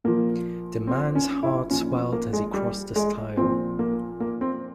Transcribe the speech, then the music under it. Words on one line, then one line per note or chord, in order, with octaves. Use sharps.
The man’s heart swelled as he crossed the stile.
A#2 F3 A#3
C4
C#4
E4
A#2 F3 C#4
C4
A#3
G#3
G3
G#3
A#2 F3 C4
A#3
A#3
C4